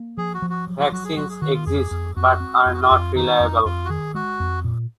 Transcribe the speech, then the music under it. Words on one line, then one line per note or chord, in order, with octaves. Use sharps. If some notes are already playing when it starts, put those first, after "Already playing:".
Vaccines exist but are not reliable.
Already playing: A#3
F3 G#4
F#4
F3
F#4
F#3
F#4
F4
F#3 F#4
G#4
F#3 F#4
G#4
D#3 F#4
F4
F2 G#4
F2
F2 F#4
C4
F2 F4
F#4
F4
F2
D#3 D#4
F2
F2 F4
F#4
D#3 G#4
G#3 F#4
F2
A#2